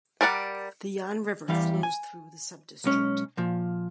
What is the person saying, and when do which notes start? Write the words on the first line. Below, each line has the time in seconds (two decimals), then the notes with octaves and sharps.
The Yan River flows through the subdistrict.
0.21 G3 A#4 D5 F#5
1.48 E2 E3 G3 F5
1.83 G#5
2.84 B1 G#3 C#4
3.37 A#2 F3